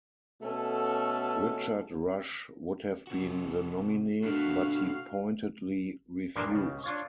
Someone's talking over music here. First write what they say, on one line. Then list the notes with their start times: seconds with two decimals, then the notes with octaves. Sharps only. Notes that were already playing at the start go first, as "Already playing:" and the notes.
Richard Rush would have been the nominee, but he pointedly refused.
0.42 B2 A3 C#4 A4
3.07 C3 F#4
4.23 B2 A3 D4 F#4 F5
6.36 G2 A#2 E3 F3 A#3 D4
6.51 C#2 C#3
6.84 D4 F4 C#5